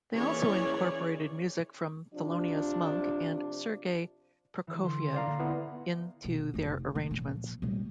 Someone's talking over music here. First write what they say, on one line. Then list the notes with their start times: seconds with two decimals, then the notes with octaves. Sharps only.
They also incorporated music from Thelonious Monk and Sergei Prokofiev into their arrangements.
0.15 E3 A#3 C#4 G#4 C#5 D5
2.14 C3 F3 D4
4.67 E3
4.82 D3 C6
5.15 D5 F5 A#5
5.26 A#2 D3 A#3
5.39 B3 E4 F4 F#5 D#6
6.24 B2
6.54 F1 D#3
6.95 D3
7.11 A#2 F3
7.62 A#2 G3